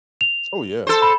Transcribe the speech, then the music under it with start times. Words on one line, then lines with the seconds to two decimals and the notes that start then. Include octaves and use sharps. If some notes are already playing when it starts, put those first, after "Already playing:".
Oh, yeah.
0.21 F7
0.87 A4 C5
1.02 B5